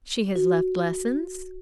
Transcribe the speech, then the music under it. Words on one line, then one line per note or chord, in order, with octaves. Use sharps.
She has left lessons.
F#4